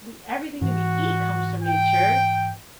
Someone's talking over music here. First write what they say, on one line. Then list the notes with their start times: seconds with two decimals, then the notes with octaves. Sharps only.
we everything that we eat comes from nature.
0.61 G#2 E3 F#4
1.63 G5